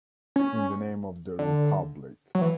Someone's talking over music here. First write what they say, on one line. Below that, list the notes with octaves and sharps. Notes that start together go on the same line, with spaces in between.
In the name of the Republic.
C#4
D3
F#3
E3